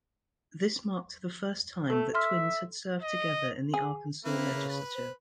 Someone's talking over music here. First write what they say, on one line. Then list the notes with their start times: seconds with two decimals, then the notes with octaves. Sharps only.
This marked the first time that twins had served together in the Arkansas legislature.
1.90 A3 A4
2.15 E5 C6 F6
3.03 D#5
3.74 G#4
4.25 A#3 C4 E4 B4
4.53 C#3
4.69 B4
4.95 C5